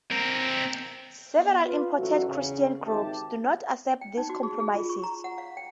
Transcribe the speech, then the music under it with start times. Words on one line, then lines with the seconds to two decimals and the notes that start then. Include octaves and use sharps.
Several important Christian groups do not accept these compromises.
0.12 C4 A#4
1.35 B3 D#5
1.65 F4 B4
1.98 A1 F#3 A3 F#4
2.29 E2 C#3
2.85 G#1 G#2 G4 E5 A5
4.01 G5
4.17 D#4
4.29 F#4
4.43 G#4
4.60 G#4
4.74 F4
4.89 C#6
5.03 A#5
5.24 F#5
5.38 F5
5.57 G5